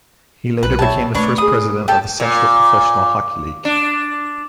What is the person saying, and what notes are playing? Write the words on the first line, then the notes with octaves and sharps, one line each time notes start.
He later became the first president of the Central Professional Hockey League.
B1 B4
G4 C#5 E5 A5 B5
A3 C#4 D4 B4 C#5 B5
G#4 B5 D#6
G4 A4 A5
A#2
D4